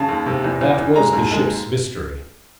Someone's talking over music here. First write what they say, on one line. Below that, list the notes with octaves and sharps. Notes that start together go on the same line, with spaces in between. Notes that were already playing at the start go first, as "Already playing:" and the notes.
That was the ship's mystery.
Already playing: C#3 A5
D#2
C3
E2
E2
E2
G#3 A#5
D#2
G#3